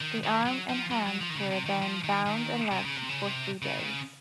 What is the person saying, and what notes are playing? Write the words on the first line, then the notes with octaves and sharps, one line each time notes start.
The arm and hand were then bound and left for three days.
D#3
D#3
F#3
F3
F#3
F#3
F3
D#3
C#3
C3
D#3
F3
D#3
D#3
C3
C#3
C3
C#3
C3
C#3
D#3
C#3